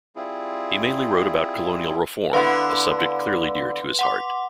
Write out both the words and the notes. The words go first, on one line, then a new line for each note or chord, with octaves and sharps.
He mainly wrote about colonial reform, a subject clearly dear to his heart.
G3 C4 E4 F4 G#4
D3 B3 E4 B4 F5 C6
F#5 C6 D6